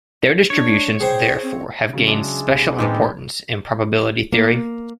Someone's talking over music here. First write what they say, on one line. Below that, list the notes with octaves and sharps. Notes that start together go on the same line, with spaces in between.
Their distributions therefore have gained "special importance" in probability theory.
D4 C#5
G#4 C5 G5
C4
C#3 F#3
G#3 D4 E5
C2
D#2 A2 G#3 B3 C4 D#4 G4
A#3